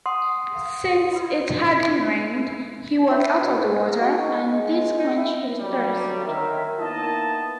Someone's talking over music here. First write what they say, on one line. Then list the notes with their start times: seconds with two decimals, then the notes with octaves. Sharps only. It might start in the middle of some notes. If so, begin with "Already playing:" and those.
Since it hadn't rained, he was out of water and this quenched his thirst.
0.06 F#5 C6 D#6
3.11 E4
3.41 B2
3.56 G#2
4.00 F#4
4.19 D#4
4.53 G#3
4.99 D#4
5.17 E4
5.59 D3 F#3 G3
6.26 D#3 A#4 E5
6.79 A#3 B3 D#4 E4 D#5 A5